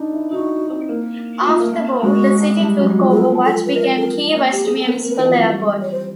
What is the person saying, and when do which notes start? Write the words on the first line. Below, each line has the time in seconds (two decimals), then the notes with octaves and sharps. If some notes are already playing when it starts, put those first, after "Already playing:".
After the war, the city took over what became Key West Municipal Airport.
Already playing: D4 D#4
0.13 E4
0.32 D#4 F#4
0.70 C4
0.89 A#3
1.41 F#4
1.46 A3 F4
1.60 A#3
1.73 A3
2.03 G#3 F#4
2.60 G3
2.80 F#3
2.99 F3
3.10 G#4
3.17 A4
3.46 A4
3.66 B4
3.75 A#4
3.97 A4
4.03 A#4
4.31 A#3
4.52 G4
4.65 G#4
4.77 A4
4.88 C4 A#4
5.03 A#4
5.11 B4
5.17 E3 A#4
5.28 F3 B4
5.36 F#3
5.46 G3
5.82 C#5
5.92 C5